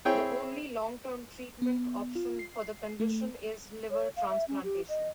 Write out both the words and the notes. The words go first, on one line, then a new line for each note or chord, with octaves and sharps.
The only long-term treatment option for the condition is liver transplantation.
C4 E4 G#4 C#5 G5
B3
F4
C7
A3
C#5
F5
E5
C#4
G4
D#5